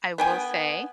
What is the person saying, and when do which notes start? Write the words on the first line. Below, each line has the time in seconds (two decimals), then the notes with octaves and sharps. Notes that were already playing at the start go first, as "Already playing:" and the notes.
I will say
0.18 B3 G5 G#5